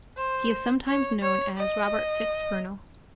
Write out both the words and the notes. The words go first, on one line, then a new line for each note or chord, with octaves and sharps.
He is sometimes known as Robert FitzPernel.
C5
C#5
C#5
D#5